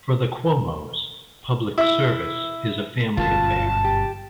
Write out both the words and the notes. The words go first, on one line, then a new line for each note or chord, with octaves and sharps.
For the Cuomos, public service is a family affair.
E4
G1 F#2 B2 F4 A5
G4